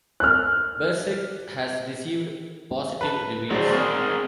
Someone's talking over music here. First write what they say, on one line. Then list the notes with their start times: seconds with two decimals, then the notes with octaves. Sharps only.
Bersirc has received positive reviews.
0.20 F6 F#6
3.01 B4 A5
3.50 F#3 G#3 F#4 C5 D5
3.72 C4 G#4 A#4